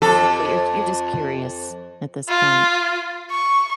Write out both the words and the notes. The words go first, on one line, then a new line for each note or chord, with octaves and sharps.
But you're you're just curious at this point.
F2 A4
F4
C#6